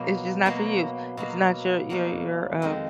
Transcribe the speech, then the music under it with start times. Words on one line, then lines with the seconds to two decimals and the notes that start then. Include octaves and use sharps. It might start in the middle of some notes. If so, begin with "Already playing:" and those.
It's just not for you. It's not your your your, uh
Already playing: B2 F#3 A#3
0.46 B2 F#3 A#3
1.17 B2 F#3 A#3
1.90 B2 F#3 A#3
2.62 F2 D#3 G#3